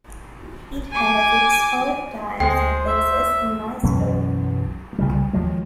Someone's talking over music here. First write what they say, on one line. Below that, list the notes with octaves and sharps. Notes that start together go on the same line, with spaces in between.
It has its own times and places in my story.
G#5 D6
D2 G#3 C5 G5
E5
B1 F#2 E3 C#4
C2 C#3 G3
D#2 F3 F#3 G#3